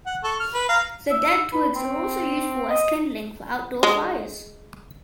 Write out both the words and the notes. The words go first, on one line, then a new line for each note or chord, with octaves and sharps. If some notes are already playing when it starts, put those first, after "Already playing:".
The dead twigs are also useful as kindling for outdoor fires.
F#5
A4 C#6
F6
B4
F5 A#5
E5
B4
C4
D#5
G#3